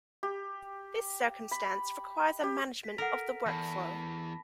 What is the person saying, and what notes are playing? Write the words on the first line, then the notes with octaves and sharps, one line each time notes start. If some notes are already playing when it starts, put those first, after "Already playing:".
This circumstance requires a management of the workflow.
G4
B5
G4
B6
A4 A#4 F#5
E2 A5 B5 A#6